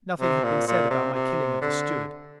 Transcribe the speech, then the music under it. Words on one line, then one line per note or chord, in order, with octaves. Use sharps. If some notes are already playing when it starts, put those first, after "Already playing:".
Nothing had been said about my killing of the steward.
C3
A#2
A#2
C3
C3
D3